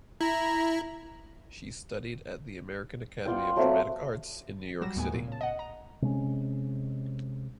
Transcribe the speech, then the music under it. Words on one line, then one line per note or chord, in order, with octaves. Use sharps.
She studied at the American Academy of Dramatic Arts in New York City.
E4 A#5
B3 F4 D5 G5
F#3 A3 C4 F#4
F#3 G3 A#6 E7
D#2 A2 B3 G#5
A#2
C#3 A5
D#5 F#5
A#5
C3 G#3 C#4